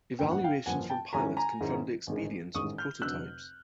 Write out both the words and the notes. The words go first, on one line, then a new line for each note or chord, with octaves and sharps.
Evaluations from pilots confirmed the experience with prototypes.
A1 G2 D3 F3 A#3 G5
F#5
F5 G5
A1 G2 D3 F3 A#3 F#5 G#5
G5 A5
G#2 D#3 G#3 C#4 E4 G#5 A#5
G#5 A#5
G#2 D#3 G#3 C#4 E4
A1 G#2 D#3 G#3
A1 G#2 D#3 G#3 C#6 D#6
F6 G6
F1 F2 D3 F#3 E6 F#6